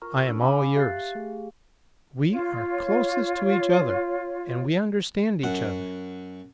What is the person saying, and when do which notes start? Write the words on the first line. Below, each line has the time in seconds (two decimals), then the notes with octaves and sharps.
I am all yours; we are closest to each other and we understand each other.
0.02 F4 A#4 A#5 C#6 F6
0.27 C#4 D4 E6
0.41 F5 G#5 B5 D6 E6
0.76 G4 E5 F5 F#6 A6 C7
1.15 A3 G4 G#4 F5
2.30 F4 C#5
5.44 F#2 F#5